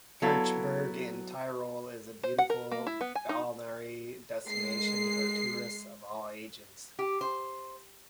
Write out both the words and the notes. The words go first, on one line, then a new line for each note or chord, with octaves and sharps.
Kirchberg in Tirol is a beautiful balneary destination for tourists of all ages.
F#3 B3 E4 A4 F5
C5
F#5
A#4
A#3
E4
B3
G#5
D#4
G#3 C7
G4
C5